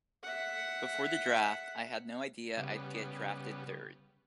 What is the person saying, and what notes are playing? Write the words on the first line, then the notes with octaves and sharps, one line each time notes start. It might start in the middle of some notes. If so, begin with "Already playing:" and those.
Before the draft, I had no idea I'd get drafted third.
E5 F#5
C#3 G3 B3